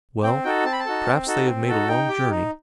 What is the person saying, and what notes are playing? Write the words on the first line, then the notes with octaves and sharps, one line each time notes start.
Well, perhaps they have made a long journey.
C4 G5
D#4 F#4 A4 G5
C4 A5
B5
A5
D#4 F#4 A4
C4
D#4 F#4 A4
C4
D#4 F#4 A4
D#4 G5
G4
D#4